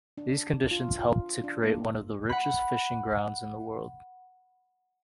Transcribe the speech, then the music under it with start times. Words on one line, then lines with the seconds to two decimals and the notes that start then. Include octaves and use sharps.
These conditions helped to create one of the richest fishing grounds in the world.
0.17 D4
0.71 F4
0.99 F4
1.44 D4
1.64 A#3
2.29 F#5 B5